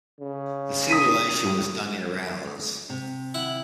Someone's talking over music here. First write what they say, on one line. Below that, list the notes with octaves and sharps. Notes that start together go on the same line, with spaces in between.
The simulation was done in rounds.
C#3
D#6 B6 D#7
C3
E4 F#5